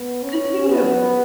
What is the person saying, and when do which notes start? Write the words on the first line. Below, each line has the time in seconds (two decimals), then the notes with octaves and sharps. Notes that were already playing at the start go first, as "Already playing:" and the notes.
Good for you!
Already playing: B3
0.23 C#4
0.69 B3